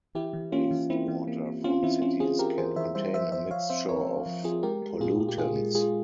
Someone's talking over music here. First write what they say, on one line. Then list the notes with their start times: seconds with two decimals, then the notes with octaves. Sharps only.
Wastewater from cities can contain a mixture of pollutants.
0.15 E3 E4 G4
0.33 E3
0.52 A#3 C#4 F4
0.71 E3
0.90 A#3 C4 E4
1.08 E3
1.28 A#3
1.45 A#3
1.64 C4 C#4 F4
1.83 E3 C4 E4
2.02 C4 C#4 F4
2.20 C4 F4 G#4
2.39 C4 G4 A#4
2.58 E3 G#4 C5
2.76 E3 C5 E5
2.95 G3 C5 E5
3.14 F3 C5 E5
3.32 F3 C5 E5
3.51 F3 C#5 F5
3.70 C4 C5 E5
3.88 C4 A#4 C#5
4.07 C4
4.26 F3
4.44 C4 F4 G#4
4.63 G#3 G4 A#4
4.82 G#3
5.01 A#2 F4 G#4
5.19 A#2 F4
5.29 G4
5.38 A#2 F4 G#4
5.56 G#3
5.75 G#3 F4 G#4